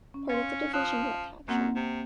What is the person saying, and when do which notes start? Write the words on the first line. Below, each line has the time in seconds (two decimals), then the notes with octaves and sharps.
Part of the division got captured.
0.14 C#4
0.29 C#4 F5 C6
0.73 F3 D#6 F#6
1.48 F#2 A#3 C4 F#5
1.75 C3